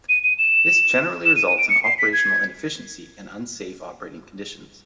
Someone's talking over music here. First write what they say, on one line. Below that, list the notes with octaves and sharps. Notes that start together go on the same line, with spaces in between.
This generally results in operational inefficiency and unsafe operating conditions.
D#7
D#7
E7
E7
D#7
D#7
D7
C#7
C7
B6
G#6